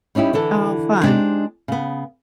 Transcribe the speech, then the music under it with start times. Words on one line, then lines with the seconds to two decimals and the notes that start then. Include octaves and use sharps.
Oh, fun.
0.15 G3 C#4 D#4 E4 G4
0.33 D3 E3 A4
1.03 G#3 D4 D#4 G4 C5
1.68 C#3 B3